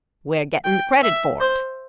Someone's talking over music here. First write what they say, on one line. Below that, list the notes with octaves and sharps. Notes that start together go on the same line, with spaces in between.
"We're getting the credit for it."
G5
E5
C5